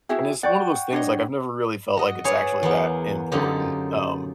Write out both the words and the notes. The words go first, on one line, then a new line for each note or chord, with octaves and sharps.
And it's one of those things, like, I've never really felt like it's actually that important, um,
E4 F#4 G#4 E5 G5
D5 F#5 G5 C#6
D4 C#5 D#5
F#4 D#5
G#4 B4 C#5 D5
E2 A#3 B3
F#2 D3 D#4 F4 G4